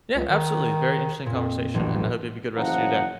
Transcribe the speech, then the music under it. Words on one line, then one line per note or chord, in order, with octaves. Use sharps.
Yeah, absolutely, very interesting conversation, and I hope you have a good rest of your day.
C#2
D#3
F2 A#2
E1 A1 F#3
F#1 E3 F3 C#4 D#4 F#5